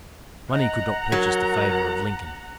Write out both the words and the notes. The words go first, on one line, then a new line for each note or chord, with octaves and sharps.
Money could not purchase the favor of Lincoln.
D#5 F#5 A#5
F#3 A#4